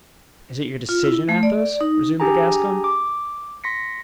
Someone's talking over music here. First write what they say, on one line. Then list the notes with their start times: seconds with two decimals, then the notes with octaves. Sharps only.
"Is it your decision, Athos?" resumed the Gascon.
0.89 F4
1.04 E4
1.29 A3
1.43 D5
1.81 D#4
2.20 D4 G4 G#4 G#5 A#5
2.84 D6
3.64 C6 A#6 B6 C#7